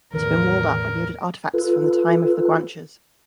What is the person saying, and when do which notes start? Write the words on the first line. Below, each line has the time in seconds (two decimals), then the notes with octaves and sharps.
It had been walled up and yielded artefacts from the time of the Guanches.
0.14 E2 A2 D#3 A#4
1.54 F4 A4 B4